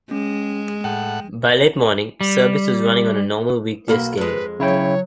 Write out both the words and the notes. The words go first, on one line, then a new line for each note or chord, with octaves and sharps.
By late morning service was running on a normal weekday schedule.
G#3 C#4
A2 F#5 G5
G3
B1 A#3 B5
F2 G#3 B4
C#3 F#3 E4 C#5 G5